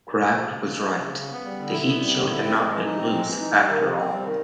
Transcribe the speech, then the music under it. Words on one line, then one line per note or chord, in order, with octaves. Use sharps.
Kraft was right; the heat shield had not been loose after all.
G#3
F3
C#3
C#3
G#3
F3
C#3
C#3
B3
G3
D3
E4
B3
G3
D3
E4
C4
G#3
E3
D#4
C4
G#3
E3
D#4
G3
D#3
C3
C4
G3
D#3